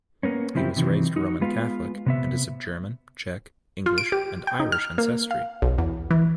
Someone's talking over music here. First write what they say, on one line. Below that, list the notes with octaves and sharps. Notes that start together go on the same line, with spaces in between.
He was raised Roman Catholic, and is of German, Czech, English, and Irish ancestry.
A#3 B3 C#4
C#3 F3 C4 E4 G4
C3 D#3 E3 F#3
D#4 F#4
G#3 B3 F4 B4 F5
C3 B3 E5
F4
D7
G4
G5
D#4
F6
A#3
F5
B1
E2
E3